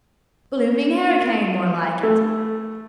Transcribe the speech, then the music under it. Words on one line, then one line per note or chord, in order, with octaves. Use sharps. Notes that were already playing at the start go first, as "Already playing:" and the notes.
Blooming hurricane, more like it.
A3